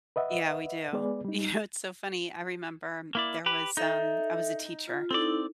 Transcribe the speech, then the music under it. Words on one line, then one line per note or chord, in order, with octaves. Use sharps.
Yeah, we do. You know, it's so funny, I remember there was, um I was a teacher
B4 D#5 E5 F#5
G#3 B3 G#4 B4 D5
G3 D#4
A#3 E4 D5
G4 B4
D#4 A4 E5
F4
C4 D#4 E4 A4 D5